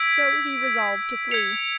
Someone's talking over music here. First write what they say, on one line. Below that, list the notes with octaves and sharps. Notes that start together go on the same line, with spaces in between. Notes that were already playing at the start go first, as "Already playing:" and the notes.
So he resolved to flee.
Already playing: E6 G#6 B6 D7
G#6 C#7 F7